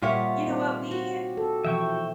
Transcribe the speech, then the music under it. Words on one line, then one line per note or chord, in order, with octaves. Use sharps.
You know what? We,
A#2 G3 F4 G4 A#4 C#5 E5 F#5
C4 D#4 C5
F#4
A4
B2 E3 F3 E5 G5 C#6